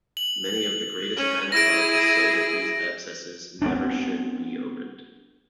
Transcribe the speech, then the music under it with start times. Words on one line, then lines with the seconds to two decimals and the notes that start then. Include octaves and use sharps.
Many of the greatest gynecologists say that these abscesses never should be opened.
0.17 F#7
1.17 C#4
1.52 E4 G#4 A#6 D7
3.62 B3 C4 D4